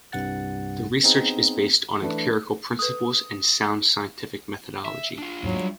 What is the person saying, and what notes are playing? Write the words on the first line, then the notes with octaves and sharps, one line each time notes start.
The research is based on empirical principles and sound scientific methodology.
C2 G2 C3 F#5 A6
B3 C4 D#4 G#4
E3 A3 D4 B4
A4 B4 D#6
E5
D4 F4
D#2 G#2 F#3
G3 G#3